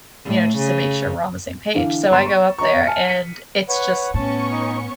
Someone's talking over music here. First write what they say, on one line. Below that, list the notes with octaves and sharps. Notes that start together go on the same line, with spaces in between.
you know, just to make sure we're on the same page," so, I go up there, and it's just
A2
C#3
D3 E3 D4 F5
G1 C#5 A#5 C6 A6 E7
C#6
C#5 D#5 A#5 C#6
G#5 A5 F6 C#7
B6 C#7 D#7
B4 C#5 F#5
A2 B3 C#4 A5 C#6
D#4